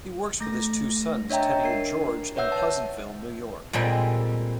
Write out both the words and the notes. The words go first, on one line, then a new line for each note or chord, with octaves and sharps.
He works with his two sons Teddy and George in Pleasantville, New York.
A3 A#6
D4 C#5 D#5 E5 G5 A#5
D4 A#4 C7
B4 C#5 E5 F#5 E6 G6
A5
A#2 G3 G#3 C4 G#4 A4